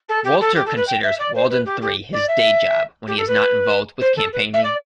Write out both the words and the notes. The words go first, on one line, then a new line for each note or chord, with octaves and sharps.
Walter considers Walden Three his "day job" when he is not involved with campaigning.
A4
G4
A4
G4
A4
B4
G5
E5
D5
C5
B4
G4
G4
D5
E5
G4
A4
B4
C5
A4
B4
E5
D5